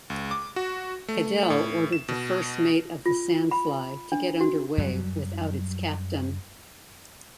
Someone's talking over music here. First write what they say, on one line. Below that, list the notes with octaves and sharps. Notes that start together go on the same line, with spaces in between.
Cadell ordered the first mate of the Sandfly to get underway without its captain.
C#2
D6
F#4
A3
A2
E7
B2
F4
B5
D4
F#4
F#2 F#3 G3